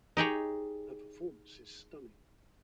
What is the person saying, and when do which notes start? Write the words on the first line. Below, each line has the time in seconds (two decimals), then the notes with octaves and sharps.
Her performance is stunning.
0.17 D#4 G4 G#4 C#5